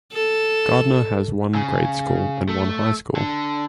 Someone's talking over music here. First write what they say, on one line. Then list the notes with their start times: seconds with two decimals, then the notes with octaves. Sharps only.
Gardner has one grade school and one high school.
0.13 A4
1.55 C#3
2.49 A3
3.16 D3